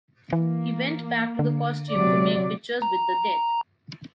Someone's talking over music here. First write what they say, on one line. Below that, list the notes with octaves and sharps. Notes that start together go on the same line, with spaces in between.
He went back to the costume to make pictures with the death.
E3 A#3
D3
C3 F#3 D5
A#5